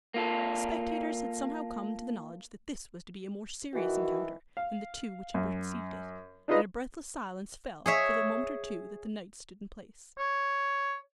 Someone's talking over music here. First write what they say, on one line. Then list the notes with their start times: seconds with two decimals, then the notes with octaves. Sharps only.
The spectators had somehow come to the knowledge that this was to be a more serious encounter than the two which had preceded it, and a breathless silence fell for the moment or two that the knights stood in place.
0.14 A#3 F4 A4
3.74 D#3 E3 F#4
4.57 F5
5.34 F#2
6.48 D4 D#4 F4 G#4 B4 D#5
7.86 G#4 C#5 E5
10.18 C#5